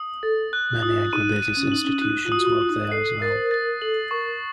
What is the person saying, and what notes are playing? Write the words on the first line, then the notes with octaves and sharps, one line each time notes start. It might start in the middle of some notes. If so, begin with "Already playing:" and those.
Many agribusiness institutions work there as well.
Already playing: D#6
A4 A6
F#6
F4 D#6
D#4 D#7
D#7
C#4
D#4 F#7
C#4
D#4 F#6
F4
D#6
F#4
F4
D#6
D#4
A4 C7
A#4 A6
C5
A#4
A#4 A6
A4 F#7
A#4 C#6